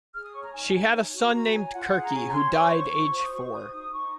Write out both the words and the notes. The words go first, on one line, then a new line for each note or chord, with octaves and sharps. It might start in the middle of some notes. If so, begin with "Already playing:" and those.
She had a son named Kirkie who died age four.
G#4 F6
D#6
C#5 C#6
A#5
D#4 G#5
D#4 G#5
C#5
F#4
F#4 A#5
C#5 G#5
F4 F#5
G#4
A#5
C#4 G#5
A#5
C#5 C6
C5 C#6
F4
F4
C5
D#6
F#4 C#6
C5 D#6
D#4 D#6
D#4 C#6